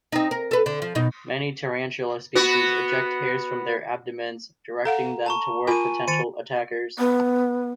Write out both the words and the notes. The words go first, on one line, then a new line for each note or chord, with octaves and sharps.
Many tarantula species eject hairs from their abdomens, directing them toward potential attackers.
C4 D#4
A#4
A4 B4
D3
F3
F#2 B2 D#4
B3 F#4
A4 F5 F#5 A#5
A5 A#5 C#6
F4 A#4 G#5 B5 D#7
D#3 A6 C#7 D#7
B3